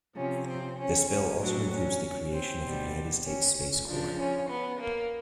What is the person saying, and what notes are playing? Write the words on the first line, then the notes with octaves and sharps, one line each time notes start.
This bill also includes the creation of the United States Space Corps.
C3 F3 C#4
C4
C#4
C#4
A2 F#3 D4
C#4
C4
B2 G3
C#4
C#4
C#3 F3 D4
C#4
B3
A#3